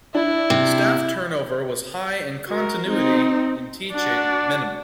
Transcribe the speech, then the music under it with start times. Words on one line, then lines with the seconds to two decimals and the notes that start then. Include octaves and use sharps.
Staff turnover was high and continuity in teaching minimal.
0.15 D4 E4
0.50 C3
2.47 F#4 A#4
2.88 C4 D#4
3.92 D4 F#4